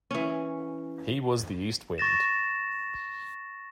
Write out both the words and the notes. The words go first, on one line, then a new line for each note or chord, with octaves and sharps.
He was the east wind.
E3 C#4
C#6 A6 A#6 E7